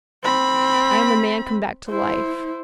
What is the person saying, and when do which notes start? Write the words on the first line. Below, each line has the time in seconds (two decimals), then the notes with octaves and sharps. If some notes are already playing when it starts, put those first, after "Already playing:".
I am a man come back to life.
0.23 C4 B5
1.89 E4 C5